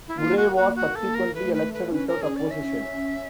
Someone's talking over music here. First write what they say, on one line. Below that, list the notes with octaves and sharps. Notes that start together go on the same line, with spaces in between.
Murray was subsequently elected without opposition.
E4
A#3 F4
F#4
F#4
F#4
A4
A#4
A3 B4
B4
A3
B4
C#4 B4
A#4
G#4
D5
E5